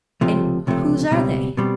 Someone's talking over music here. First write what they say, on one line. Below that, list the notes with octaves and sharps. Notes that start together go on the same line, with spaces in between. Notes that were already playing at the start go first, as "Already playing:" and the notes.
"And whose are they?"
C#2 C3 F3 A3
C#2 C3 F3 A3
C#2 B2 G3 C4
B2 G3 C4